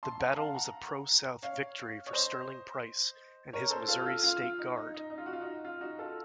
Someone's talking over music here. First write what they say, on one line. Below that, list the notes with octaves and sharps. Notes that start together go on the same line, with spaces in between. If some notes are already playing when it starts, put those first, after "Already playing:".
The battle was a pro-South victory for Sterling Price and his Missouri State Guard.
A5 C6
F#5 A#5
F5 A5
F#5 A#5
C#5 F5
C#5
C5 D#5
A#4 C#5
A4 C5
F4 A4
F4
F4
F4
D#4
D#4
D#4
D#4
F4
F#4
F4
D#4
F4
D#4 F#4
F4 A4